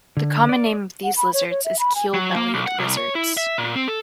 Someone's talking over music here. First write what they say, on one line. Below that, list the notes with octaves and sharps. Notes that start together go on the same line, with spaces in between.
The common name of these lizards is Keel-bellied Lizards.
D3
D5
F#5
B5
C#5
C#5
E5
B5
G#5
F#3
A#3
B1
F#5
C2
C#5
E4
E5
A#2
C4
A4